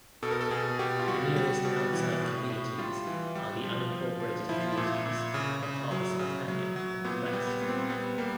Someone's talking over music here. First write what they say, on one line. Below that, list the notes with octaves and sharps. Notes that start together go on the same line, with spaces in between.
The nearest outside communities are the unincorporated communities of Harbison Canyon and Crest.
B2 A4
A#4
A4
B2 G#4
B2 G4
F4
G3 F#4
G3
B2
E3
A2
A2
G3 F4
E3
G3
F3
F3
F3
F3 E4
F4
E4
A#2
A#2
C#3
C#3
F#3
C#3
F#3
F#3
A#2 B3
B3
G3
B3
A#2
C4
G3 B3
G3 A#3